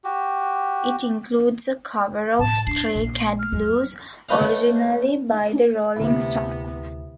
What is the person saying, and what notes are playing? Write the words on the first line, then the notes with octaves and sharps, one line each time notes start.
It includes a cover of "Stray Cat Blues" originally by The Rolling Stones.
F#4 G4
A2 A5
D4 C7
A#1
F6
F#2
B1 A3 B4 D#5 F5
D2 C3 B3 E4